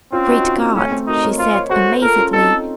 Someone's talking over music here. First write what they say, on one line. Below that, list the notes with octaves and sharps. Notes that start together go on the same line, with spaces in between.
"Great God!" she said amazedly.
C4 C#4 F4
D#4 F#4
C#4 F4
C4 D#4
A3 C4 C#4
A3 C4
D#4 F#4 A#4
D#5
A#4 C#5
F4 C5 D#5
A#4 C#5
F#4 A4 C5
F4 A4 A#4
C#4 F4
C4 D#4 A4